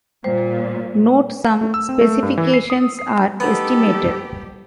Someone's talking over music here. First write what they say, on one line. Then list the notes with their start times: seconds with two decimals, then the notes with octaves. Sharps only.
Note some specifications are estimated.
0.24 A#2 G3 C5
1.61 A3
1.74 E6
1.89 C4
2.01 A3
2.23 G2
2.38 E3
2.54 C7
2.70 D#6
2.99 C7
3.40 G3 B3 D#4 G4 A4